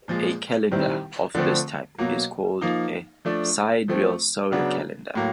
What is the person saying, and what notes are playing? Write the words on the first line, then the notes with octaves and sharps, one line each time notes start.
A calendar of this type is called a sidereal solar calendar.
A#2 F3 G#3
D#3 G3 C4 E4
D3 F3 A3 C4
B2 F#3 A#3
F3 A#3 D#4
F3 A3 D4
F3 A3 C4
C#3 F#3 B3 D4
A2 F#3 A#3